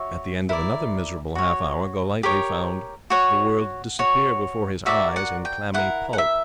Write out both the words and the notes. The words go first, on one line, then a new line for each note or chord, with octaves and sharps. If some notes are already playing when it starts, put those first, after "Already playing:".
At the end of another miserable half-hour, Golightly found the world disappear before his eyes in clammy pulp.
Already playing: F#4 C#5 E5
E4 A#4 D5
F#4 C#5
G4 A#4 C#5
F#4 C#5 F#5
F#4 C#5
F#4 A#4 D5 E5
F#5
G5
E4 G4 A#4 F#5
F#5
E5